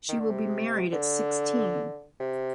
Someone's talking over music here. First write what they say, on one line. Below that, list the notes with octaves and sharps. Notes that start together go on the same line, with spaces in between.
She will be married at sixteen!
D#3
D3
C3
D3
C3